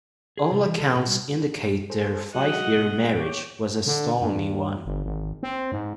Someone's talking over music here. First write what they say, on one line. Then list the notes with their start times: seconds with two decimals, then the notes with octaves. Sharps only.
All accounts indicate their five-year marriage was a stormy one.
0.38 G#4
0.52 C3
0.66 E3
0.78 A4
0.95 A#2
1.07 G3
1.90 G#4 A4 C5
2.35 F#3 G#3 F#4 D#5 F#5
2.77 B2
3.14 C#5 G5 D6
3.87 D3
4.21 G2
4.86 G1
5.04 G#1
5.43 C4
5.72 G#2